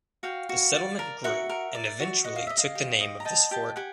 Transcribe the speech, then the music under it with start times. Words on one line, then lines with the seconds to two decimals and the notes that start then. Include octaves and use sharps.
The settlement grew, and eventually took the name of this fort.
0.23 F#4 F5 G5
0.49 F#4
0.74 D5
0.99 A#4
1.24 F#4 E5 F#5
1.49 A#4
1.75 D5
2.00 F#4
2.24 D#5 F#5
2.36 F5
2.47 D#5 E5
2.57 D#5 F5
2.75 G4
3.01 D#5
3.20 A#5
3.25 D#5 G5 A5
3.51 G4 G5 A5
3.76 G4 F#5 G#5